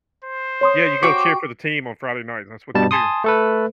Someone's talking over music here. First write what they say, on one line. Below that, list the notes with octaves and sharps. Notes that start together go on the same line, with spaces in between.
Yeah, you go cheer for the team on Friday night that's what you do.
C5
C#5 C6 D#6
F#4 G5 D6
G2 B2 G3 A5
G#5 A5 C6 D#6
A3 A4 B4